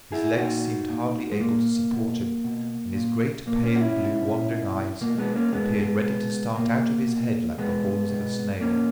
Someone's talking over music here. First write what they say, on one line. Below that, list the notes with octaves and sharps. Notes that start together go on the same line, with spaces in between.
His legs seemed hardly able to support him, and his great pale blue wandering eyes appeared ready to start out of his head like the horns of a snail.
E4 G#4
A#2 D#4 F#4
A#2
G#3
A#2 A#3
B2
B2
A#2
A#2 A#3
A#3 C#4
F#4
C#4 E4
B2
B2
B2 A#3
G#3 B3
A#3 C#4
B2 G#3 B3
B2
B2 A#3
B2
B2 G#3 B3
B2
B2 A#3 C#4